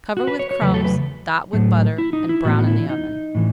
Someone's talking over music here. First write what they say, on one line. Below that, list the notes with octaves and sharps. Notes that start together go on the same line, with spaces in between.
Cover with crumbs, dot with butter, and brown in the oven.
F#4
B4
C#5
C#5
E2 C#3 F#3 A3 B4
A4
B4
A2 F#3 A3
E4
D#4
E4
A2 E3 B3 F#4
E4
D#4
A2 E3